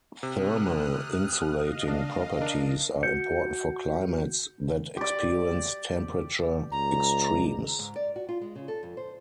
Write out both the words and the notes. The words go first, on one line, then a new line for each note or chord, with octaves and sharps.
Thermal insulating properties are important for climates that experience temperature extremes.
C3 D#6 F6 F#6
D#5 F5
D4
D4 A#4
F#4 G6 C#7
G4 D5
C#2 A#5
G#2
D5
F#4
F4
G#3
C#3
A4
F2
C5